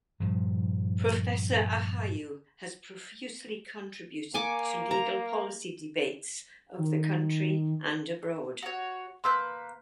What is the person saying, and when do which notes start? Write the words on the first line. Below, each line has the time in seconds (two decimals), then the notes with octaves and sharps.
Professor Ahuja has profusely contributed to legal policy debates of the country and abroad.
0.20 G2 A#2 F3
4.34 A#3 G#5 C#6 D6
4.91 A#5
6.78 D#3
8.62 F#4 C#5
9.24 A#3 B4 C6 E6 G6